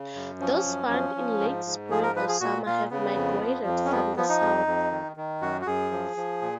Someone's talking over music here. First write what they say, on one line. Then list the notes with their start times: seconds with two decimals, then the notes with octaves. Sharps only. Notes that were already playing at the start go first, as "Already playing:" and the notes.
Those found in late spring or summer have migrated from the south.
Already playing: C#3
0.15 F#2
0.39 F3 C#4
0.66 F#2
0.91 F3
1.15 F3
1.41 G#2
1.66 G#2
1.90 F3 G#4
2.03 A#4
2.15 F3 B4
2.28 G#4
2.40 A#2 F#4
2.66 A#2 F4
2.91 C#3 B3
3.15 F2
3.41 F3
3.66 F2
3.85 C#4
3.91 F3 B3
4.17 F3 B3
4.29 D#4
4.41 F2
4.67 F2
4.92 D#3
5.16 D#3
5.41 F#2 F#4
5.61 F#4
5.66 F#2 G#4
5.91 F3
6.17 F3
6.42 A#2